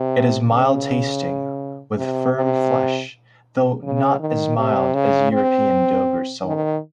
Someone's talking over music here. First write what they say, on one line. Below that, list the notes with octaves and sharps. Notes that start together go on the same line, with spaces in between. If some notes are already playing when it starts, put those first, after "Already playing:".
It is mild-tasting, with firm flesh, though "not as mild as European Dover sole".
Already playing: C3
C#3
C3
C3
C#3
D#3
C3
C#3
C4
D#3